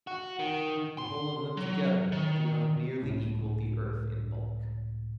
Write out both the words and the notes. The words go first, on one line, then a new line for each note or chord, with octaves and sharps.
The whole of them together do not nearly equal the earth in bulk.
F#4
D#3
C6
F#3
D#3
C#2 A2